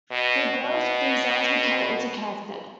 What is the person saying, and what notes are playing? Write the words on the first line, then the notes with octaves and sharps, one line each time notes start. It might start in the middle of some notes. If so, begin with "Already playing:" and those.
With growth these lines become interconnected.
B2
B2